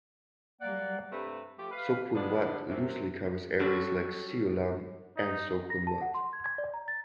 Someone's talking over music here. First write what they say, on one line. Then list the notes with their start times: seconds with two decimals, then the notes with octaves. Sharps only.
So Kwun Wat loosely covers areas like Siu Lam and So Kwun Wat.
0.61 F#3 G3 A#3 D5 F#5
1.11 G2 C3 A3 B4
1.58 F3 A3 G4
1.71 B4 F5
2.15 D3 F3 G3 G#3 B3 D4
2.69 F#2 C3
3.59 F#3 G3 C#4 A4
5.17 D#4
5.70 A#6
5.87 A5
6.01 F#5
6.14 C6
6.33 G#6
6.44 G#6
6.58 D5
6.74 A#5
6.88 A6